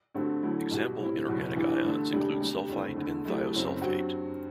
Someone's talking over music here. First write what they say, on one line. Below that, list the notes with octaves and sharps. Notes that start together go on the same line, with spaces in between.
Example inorganic ions include sulfite and thiosulfate.
G2 D3 A3 C4 F#4
D2 D3 F#3 A3 E4
C2 B2 G3 B3 F#4
A2 G3 C4 E4
F#1 E2 B2 F#3
G2 E3 B3
G2 D3 A3
E1 D2 C3 G3 D4
D2 C3 G3
F#1 E2 D3 A3 C4
E2 D3 A3 E4
D2 C3 F#3 A3 E4
F#1 F#2 F#3 C4
G2 F#3 C4 F#4